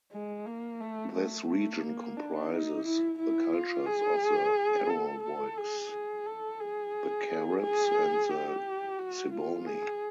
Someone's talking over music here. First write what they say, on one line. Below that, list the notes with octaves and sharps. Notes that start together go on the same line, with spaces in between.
This region comprises the cultures of the Arawaks, the Caribs, and the Ciboney.
G#3
A#3
A3
A3
A3
A#3
D4
D#4
E4
E4
F4
G#4
A4
A4
G#4
G#4
A4
G#4
G#4
G4
F#4
F4
G#4